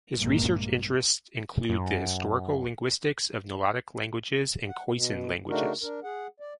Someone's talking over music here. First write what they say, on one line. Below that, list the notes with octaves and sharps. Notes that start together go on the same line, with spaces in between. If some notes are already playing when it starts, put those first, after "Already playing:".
His research interests include the historical linguistics of Nilotic languages and Khoisan languages.
A#1 G2 G#3 A#3
F#2
F#5
B2
C#3 A3 D4 D#4 F#4 A#4
D4 A#4
G#4 F#5
D5